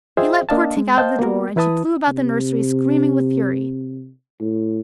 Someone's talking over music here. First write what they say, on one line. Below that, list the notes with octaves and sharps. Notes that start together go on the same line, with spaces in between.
He let poor Tink out of the drawer, and she flew about the nursery screaming with fury.
F4 G#4 C5 D#5 E5 G5
A#3 D4 D#5 F5 A5
G#3
C5 D#5 F5 G5 A5 G6
A#3 B3 F#4 A#4
E3 E4 B4 A5 D#6
C3
A2